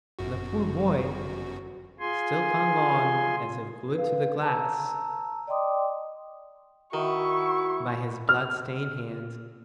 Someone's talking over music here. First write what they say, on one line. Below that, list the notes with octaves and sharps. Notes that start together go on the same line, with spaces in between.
The poor boy still clung on as if glued to the glass by his blood-stained hands.
G1 F#2 F#4
F4 G#4 G#5 C6
B4 F5
A5 A#5 E6
D5 D#5 G5 C6 D6 D#6
D#3 E4 F#4 C#6
F6